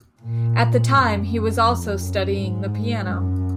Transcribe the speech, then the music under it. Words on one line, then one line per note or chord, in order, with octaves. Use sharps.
At the time, he was also studying the piano.
A#2
F#2
F2
F#2
G#2
F#2